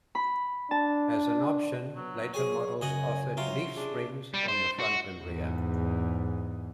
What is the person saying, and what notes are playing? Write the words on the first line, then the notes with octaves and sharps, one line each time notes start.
As an option, later models offered leaf springs on the front and rear.
B5
D4 A5
F#3 B3
F#3 G#4 C#5 G#5
F#2 C#3 F#4 D#5 G#5 D#6
C3 F#3 F4 A#5 C6 C#6
C#4 D4 G#4
G3
C5
F#4
E2 G#2